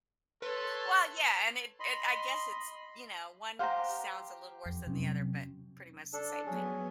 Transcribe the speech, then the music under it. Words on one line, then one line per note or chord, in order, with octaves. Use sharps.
Well, yeah, and it it I guess it's, you know, one sounds a little worse than the other, but pretty much the same thing.
A4 B4 C#5 C6
D#5 B5 C6
G4 C5 F5 F#5 A#5
F2
C3 F#3 C#4
D4 A4
F#3 B3 C#4 G#4